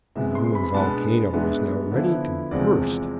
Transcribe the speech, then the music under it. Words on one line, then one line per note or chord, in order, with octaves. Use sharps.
The human volcano was now ready to burst.
C3 G#3 B3 E5
C6
B5
B2 G#3 B3 D4 A5
G#2 G#3 B3 D4 E5
D3 F3 B3 E4
E2 C3 F3 G#3 D5